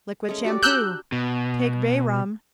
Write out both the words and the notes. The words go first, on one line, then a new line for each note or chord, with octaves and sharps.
Liquid Shampoo.--Take bay rum.
G#3 A3 C#4
F#4 G4 D5
D4 A#5 E6 F#6 G6
B2